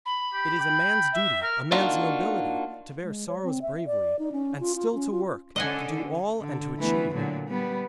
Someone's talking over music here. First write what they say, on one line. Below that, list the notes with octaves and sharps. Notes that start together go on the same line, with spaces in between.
It is a man's duty, a man's nobility, to bear sorrows bravely, and still to work, to do all and to achieve.
B5
G4
G5
E5
A#4 F6
A#3 D4 D#4 F4 F#4
G#3
C#5
C4
E5
D5
D#4
C#4
F4
F4
C#4
F4
D3 C#4 D#5 F#5 G#5
D3
E3 A3 B3
A#2 D3 F#3
G3 B3